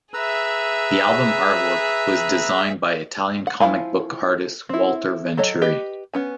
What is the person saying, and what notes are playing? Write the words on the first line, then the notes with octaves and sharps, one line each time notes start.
The album artwork was designed by Italian comic book artist Walter Venturi.
G#4 B4 E5 A#5 E6
F#5
F3 D#4 E4 F5 G#5
C4 E4
F#3 A4 C#5 D#5
G4 B4 D#5
B3 C#4 G#5